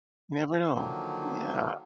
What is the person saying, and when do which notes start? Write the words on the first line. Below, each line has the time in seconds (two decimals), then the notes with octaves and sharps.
You never know, yeah.
0.75 D3 D#3 F3 F#3 A#3